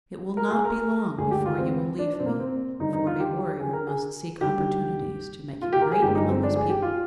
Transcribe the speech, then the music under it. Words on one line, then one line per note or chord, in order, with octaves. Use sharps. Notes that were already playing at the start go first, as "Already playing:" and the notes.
It will not be long before you will leave me, for a warrior must seek opportunities to make him great among his people.
A#4
G#4
A#4
D2 D3 G#3 G#4
G4
F4
C4
D4
D4
C4
A#3
C4
D#2 D3 G3 D#4
D#4
F4
G4
G#4
A#4
G#4
D#2 D3 G3 G4
F4
G4
A#4
G#4
G1 G2 F3 G#3 G4
D#4
C4
D4
G#4
G4
F4